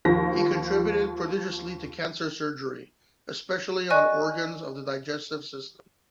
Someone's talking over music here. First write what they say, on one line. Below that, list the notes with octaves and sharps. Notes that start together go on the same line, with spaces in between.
He contributed prodigiously to cancer surgery, especially on organs of the digestive system.
D#2 F3 A#6
D5 D#5 G#5 C#6 F#6